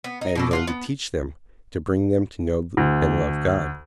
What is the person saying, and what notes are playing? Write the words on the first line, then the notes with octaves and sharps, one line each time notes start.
I am going to teach them, to bring them to know and love God.
B3
D#4
B2 D4 A4
D4 F4 F#5
B3
D2